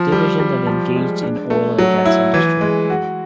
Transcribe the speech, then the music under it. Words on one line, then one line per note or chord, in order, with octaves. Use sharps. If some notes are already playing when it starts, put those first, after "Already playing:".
Division that engaged in oil and gas industry.
Already playing: F3
G3
G3
F3
G#3
D4
A3
F#3
E4
E3
G#3
F#4